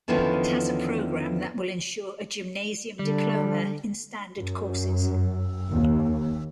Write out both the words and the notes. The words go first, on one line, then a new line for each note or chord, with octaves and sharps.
It has a program that will ensure a gymnasium diploma in standard courses.
E2 D3 D#3 F3 B3 C#4
D3 G3
F#2
D#2